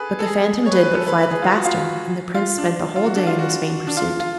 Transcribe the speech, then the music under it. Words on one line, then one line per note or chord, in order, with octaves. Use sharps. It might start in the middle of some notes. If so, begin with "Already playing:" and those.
But the phantom did but fly the faster, and the Prince spent the whole day in this vain pursuit.
Already playing: G#4 A4 B4
A4
G#4
C#5
B4
B4
A4
B4
B4
G#4
F4
F#4
F4
F4
D4
F4
F#4
D4
F4
F#4
D4
F4
F4